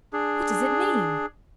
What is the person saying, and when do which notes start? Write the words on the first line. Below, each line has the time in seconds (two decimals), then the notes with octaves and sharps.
"What does it mean?"
0.13 D4 G#4